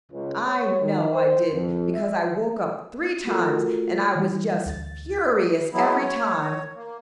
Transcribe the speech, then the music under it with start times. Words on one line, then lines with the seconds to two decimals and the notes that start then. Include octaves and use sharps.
I know I did because I woke up three times and I was just furious every time.
0.12 C#2
0.47 C#5
0.80 D#3
1.13 C5
1.52 F2
1.93 E5
3.27 A3 F4 F#4 A4 A#4
4.15 E3 G3
4.66 D2 A6
5.72 F#3 G#3 B3 E4
5.98 C#5
6.76 A#3